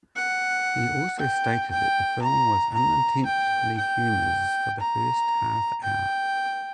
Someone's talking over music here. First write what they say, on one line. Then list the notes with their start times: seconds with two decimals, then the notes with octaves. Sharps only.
He also stated that the film was unintentionally humours for the first half hour.
0.16 F#5
1.19 G5
1.71 G5
2.22 A#5
2.74 A#5
3.26 G5
3.77 G5
4.81 A#5
5.84 G5